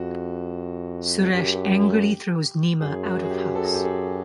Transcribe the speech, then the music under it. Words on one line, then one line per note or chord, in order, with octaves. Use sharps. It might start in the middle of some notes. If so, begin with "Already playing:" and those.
Suresh angrily throws Nima out of house.
Already playing: F2 F#4
F#2 G4
F#2 G#4
F#4
G#4
G4
A4
G#4
G4
G#4